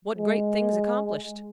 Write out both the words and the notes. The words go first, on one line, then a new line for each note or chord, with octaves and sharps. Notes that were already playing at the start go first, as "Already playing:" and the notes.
What great things accomplished!
G#3